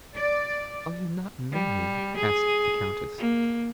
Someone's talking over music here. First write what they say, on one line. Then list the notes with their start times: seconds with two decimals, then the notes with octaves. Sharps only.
"Are you not married?" asked the countess.
0.17 D5
1.52 G3
2.17 G#4
3.18 A#3